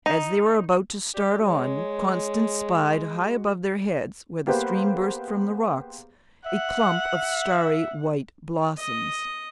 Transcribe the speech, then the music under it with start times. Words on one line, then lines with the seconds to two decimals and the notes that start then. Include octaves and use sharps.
As they were about to start on, Constance spied high above their heads, where the stream burst from the rocks, a clump of starry white blossoms.
0.06 D#4
1.14 G4 D5
1.45 G#3 C#5
3.14 F#4
4.47 A#3 B3 G4 G#4 B4 C5
6.47 E5 F#5
8.77 D#5